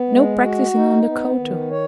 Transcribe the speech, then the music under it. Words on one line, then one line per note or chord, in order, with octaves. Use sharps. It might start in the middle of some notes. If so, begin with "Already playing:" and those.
No practising on the koto!
Already playing: B3
G#3
F#4
D#4
B3
D#3
C#5